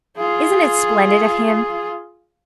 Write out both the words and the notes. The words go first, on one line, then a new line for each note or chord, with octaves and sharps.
Isn't it splendid of him?
F4 G#4